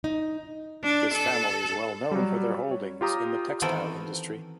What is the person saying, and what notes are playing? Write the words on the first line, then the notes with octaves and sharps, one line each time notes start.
This family is well known for their holdings in the textile industry.
D#4
D4
A4
F#3 G3
C#5
F4 G4 A#5 D#6
D#3 E3 B3 C4 A4 A#4